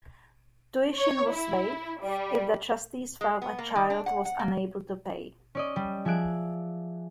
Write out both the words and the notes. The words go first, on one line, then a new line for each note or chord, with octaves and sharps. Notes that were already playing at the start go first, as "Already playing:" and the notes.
Tuition was waived if the trustees felt a child was unable to pay.
C#5
E4
G3
G#3
B3
A#3
D#3
D4
F#5
F#5
A#3
C#4 D5 D#5
G3
F3 G#4 E5 F#6 D7